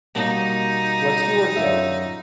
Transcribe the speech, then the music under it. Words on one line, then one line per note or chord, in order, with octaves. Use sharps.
What's yours, Jeff?
B2 G3 A#3 D#4
F#2 F4 E5